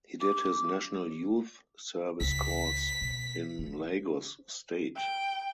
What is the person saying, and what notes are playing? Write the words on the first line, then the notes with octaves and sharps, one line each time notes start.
He did his National Youth Service Corps in Lagos State.
D6
C#2 B6
B2
E3 F3
G5